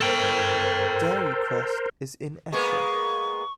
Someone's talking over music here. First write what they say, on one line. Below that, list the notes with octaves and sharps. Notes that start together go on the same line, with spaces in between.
Dairy Crest is in Esher.
A4 A#4 C5 G5
G#3 A#3 B3 C#6